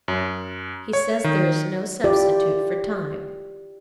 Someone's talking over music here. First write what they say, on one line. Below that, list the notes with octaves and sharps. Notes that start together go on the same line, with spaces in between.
He says there is no substitute for time.
F#2
C#5
D#3
E4 F4 G4 D5